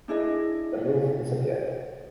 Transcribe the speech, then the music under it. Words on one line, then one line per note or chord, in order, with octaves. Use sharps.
The roof disappeared.
D4 E4 G#4 D#5